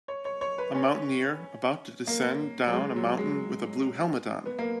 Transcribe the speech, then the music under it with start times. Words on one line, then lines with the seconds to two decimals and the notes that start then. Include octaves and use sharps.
A mountaineer about to descend down a mountain with a blue helmet on.
0.08 C#5
0.25 C#5
0.41 C#5
0.58 B4
0.75 C#4
2.07 A#3
2.67 F#3
2.73 G#3
2.96 F#3
3.18 G#3
4.45 B3
4.59 A#3